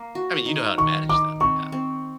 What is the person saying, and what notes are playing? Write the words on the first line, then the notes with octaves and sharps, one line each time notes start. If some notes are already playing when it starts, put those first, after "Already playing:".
I mean, you know how to manage them, yeah.
Already playing: A#3
F#4
D#4
D#3 C#6
D#4 D6
C4 C#6
C4